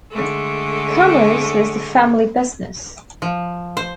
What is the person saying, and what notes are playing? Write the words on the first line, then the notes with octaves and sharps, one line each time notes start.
Commerce was the family business.
D3 G#3 A3
F3
C5